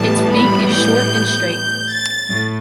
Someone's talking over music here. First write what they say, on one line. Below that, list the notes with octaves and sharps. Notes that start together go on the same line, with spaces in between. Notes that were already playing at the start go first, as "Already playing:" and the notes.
Its beak is short and straight.
Already playing: A2 E3 G3 B3 A5
B5
G6
G6
A6
A2